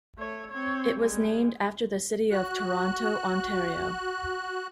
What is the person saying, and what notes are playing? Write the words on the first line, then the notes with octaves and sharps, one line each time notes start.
It was named after the city of Toronto, Ontario.
A3 C#5
C4 C#5
G3 G#3
F#4 F#6